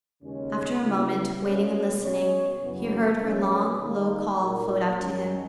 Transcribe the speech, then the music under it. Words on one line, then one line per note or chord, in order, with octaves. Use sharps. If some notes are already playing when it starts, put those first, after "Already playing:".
After a moment, waiting and listening, he heard her long, low call float out to him.
D#2 C#3 G#3 C#4
C#3 F#3 B3 E4
B2 A#3 C#4
B2 G#3 C#4 G#4 C#5
F#2 C#3 E3 B3
B1 B2 A#3 C#4
D#2 D#3 A#3 D#4
A#2 A#3 D#4 F#4 A#4
F#2 D#3 G#3 C#4